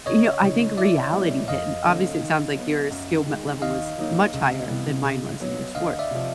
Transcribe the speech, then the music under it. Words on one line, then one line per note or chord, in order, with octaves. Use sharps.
you know, I think reality hit, and obviously, it sounds like your skill m level was much higher than mine was, in your sport
C#2 C#5 D#5
C#3 E3
E3 D5 E5
G3 B3 E4 G4
F2 D#5 F5
D3 F#3 A3 C4
D#3
F#3 B3
F#2
D#3 G#3
D#2 D#5 F5
D#3 F#3 A#3 D#4
C#2
C3 E3 G3 B3
C#3
F#3 B3
D2 D#5 F5
D5 E5
C3 F3